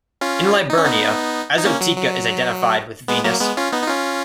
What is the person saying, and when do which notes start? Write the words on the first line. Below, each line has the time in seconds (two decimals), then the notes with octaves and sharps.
In Liburnia, "Anzotica" is identified with Venus.
0.21 C#4 F4
0.70 D#4
0.78 C#4
0.85 B3 D#4
1.59 D#4
1.65 A#3 C#4
1.81 F#3
1.97 F#3
3.08 G#3 B3
3.24 F#3 A#3
3.40 G#3 B3
3.57 C#4 F4
3.72 B3 D#4
3.82 D#4
3.88 C#4 F4